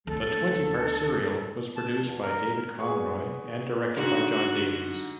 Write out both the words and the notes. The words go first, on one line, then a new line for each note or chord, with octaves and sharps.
The twenty-part serial was produced by David Conroy and directed by John Davies.
D2 A4
A5
E2
A#4
B3 G#4 C#6
G#2 D3 F#4